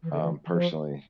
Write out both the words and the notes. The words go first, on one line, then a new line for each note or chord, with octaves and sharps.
um, personally
E3
D3
E3
E3
F3